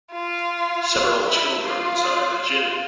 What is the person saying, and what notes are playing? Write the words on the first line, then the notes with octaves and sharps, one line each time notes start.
Several children inside a gym.
F4
E4
F4
F4